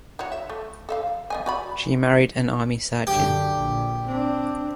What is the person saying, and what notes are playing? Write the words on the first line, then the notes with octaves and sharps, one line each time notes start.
She married an Army surgeon.
E4 F#4 C#5
E5
A3
A4 E5 F5
B3 D#5 G#5
F#4 D5 B5
F#2 D3 G4
A#1
C4 D4